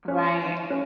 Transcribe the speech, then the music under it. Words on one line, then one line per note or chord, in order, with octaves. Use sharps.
Right, mm.
C#4
C#4